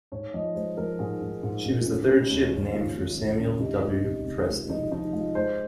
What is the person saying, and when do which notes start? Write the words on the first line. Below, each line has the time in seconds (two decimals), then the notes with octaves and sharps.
She was the third ship named for Samuel W. Preston.
0.12 G#2 C#5
0.34 F3 D#5
0.55 G#3 C5
0.77 F3 A#4
0.99 G#2 G#4
1.21 G#2
1.43 G#2
1.64 G#2
1.86 C#3
2.07 C#3
2.30 D#2
2.51 C#3
2.73 D#2 F4
2.96 D#2
3.17 D#2
3.39 C#3
3.60 C2 D#4
3.83 G#3
4.05 C2
4.25 C3
4.48 G#3 F4
4.69 F3 D#4
4.91 F3 D#4
5.12 G#3 F4
5.35 G#3 C5